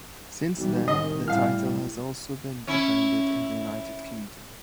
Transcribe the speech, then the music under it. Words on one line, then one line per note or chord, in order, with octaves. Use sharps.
Since then, the title has also been defended in the United Kingdom.
B1 E3 G3
C2 A2 D#3 D#5
A2 G3 E4 F5 F6
C#4 E4